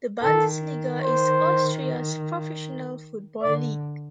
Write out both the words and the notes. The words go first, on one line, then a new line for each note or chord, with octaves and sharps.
The Bundesliga is Austria's professional football league.
D#3 A4
C5
D3 D5